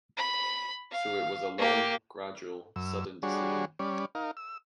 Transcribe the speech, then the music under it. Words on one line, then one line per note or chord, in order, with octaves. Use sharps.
So it was a long, gradual, sudden decision.
B5
F5
A#3 G4
F#2 E6
G3 D4 F#4 G#4 C#5
G3 C#4 D5
D#4 A#4 F5
E6